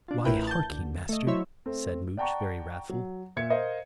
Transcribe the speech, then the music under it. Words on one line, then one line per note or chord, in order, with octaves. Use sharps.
"Why, harkee, master," said Much, very wrathful.
D4 F4
A1 A2 E4 A#4 B4 G5
A5 G6
D2
A3 D#5
F#3 E4 C5 C#5 E5
A3 C4
D5 F#5 G5 A5 A#5 C#6
F#3
A#2 E5 G#6 C#7
A#4 C5 D#5 F5